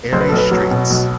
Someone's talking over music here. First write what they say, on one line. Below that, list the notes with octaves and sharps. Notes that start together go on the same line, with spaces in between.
Airy Streets.
B1 C5
B4
A4
B1
B4
F#3
B2
B1